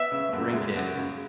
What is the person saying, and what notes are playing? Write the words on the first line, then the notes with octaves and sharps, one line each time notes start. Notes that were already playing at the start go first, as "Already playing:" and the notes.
drink it,
Already playing: B3 E5
C#3
F#2
G#3
F#2
C#3